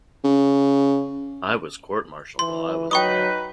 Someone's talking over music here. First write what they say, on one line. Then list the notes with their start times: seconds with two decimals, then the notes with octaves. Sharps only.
I was court-martialled while I was there.
0.24 C#3
2.39 E3 C6
2.91 F#3 D#4 B4 G5 C#6 D#6